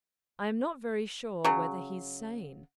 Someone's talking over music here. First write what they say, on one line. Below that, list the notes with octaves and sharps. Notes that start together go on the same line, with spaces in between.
"I am not very sure whether he's sane."
C#3 F#3